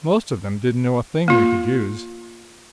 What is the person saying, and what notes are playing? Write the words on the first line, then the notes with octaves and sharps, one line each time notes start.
Most of them didn't know a thing we could use.
A#3 F4